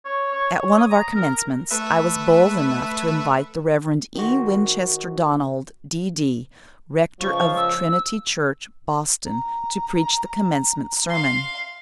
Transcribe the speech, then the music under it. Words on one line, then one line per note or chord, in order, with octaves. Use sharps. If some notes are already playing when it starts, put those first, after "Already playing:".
At one of our Commencements I was bold enough to invite the Rev. E. Winchester Donald, D.D., rector of Trinity Church, Boston, to preach the Commencement sermon.
C#5
C#5
C#5
D#6
A#5
A#4
A3 B4 E5
D#3 F#4
C#2 F3 C#6
E6
A#5
F5 C6